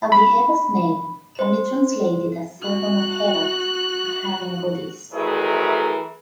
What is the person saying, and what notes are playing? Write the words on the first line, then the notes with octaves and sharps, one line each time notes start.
Abdi-Heba's name can be translated as "servant of Hebat", a Hurrian goddess.
B5
C5
F#4 F#6
F2 E3 F#3 A3 G#4 A#4